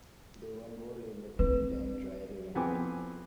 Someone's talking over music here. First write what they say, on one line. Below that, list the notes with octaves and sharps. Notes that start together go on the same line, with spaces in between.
They won gold in the team time trial event.
C4 B4
F2 B3 C4 G#4 G#5 D6